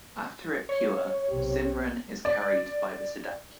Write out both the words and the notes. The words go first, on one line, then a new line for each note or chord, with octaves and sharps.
After it pure Simran is carried by the sadhak.
C#5
B1 C3 G4
D5